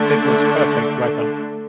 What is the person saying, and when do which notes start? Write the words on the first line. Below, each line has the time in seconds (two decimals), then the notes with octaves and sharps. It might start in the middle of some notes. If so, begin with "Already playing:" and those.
It was perfect weather.
Already playing: D3 A3 D4